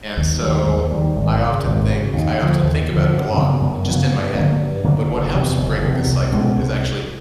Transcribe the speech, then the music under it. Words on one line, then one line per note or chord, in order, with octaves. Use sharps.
And so I often think I often think about it a lot, just in my head. But what helps break this cycle is actually
D#2
D#3 G3
D#2
D#3 G3
G#1
F#2 C#3
G#1
F#2 C#3
D#2
D3 F3
D#2
D3 F3
F#2
C#3 F#3 B3
F#2
C#3 F#3 B3
G2
D3 F#3 A#3
G2
D3 F#3 A#3
F#1
E2 C3 E3
F#1
E2 C3 E3
C2
B2 G#3 C#4
C2